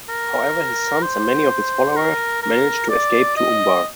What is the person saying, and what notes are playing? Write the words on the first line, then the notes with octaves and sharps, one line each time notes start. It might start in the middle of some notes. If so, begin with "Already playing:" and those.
However his sons and many of his followers managed to escape to Umbar.
A#4
C5
A#4
A#4
D5
D#5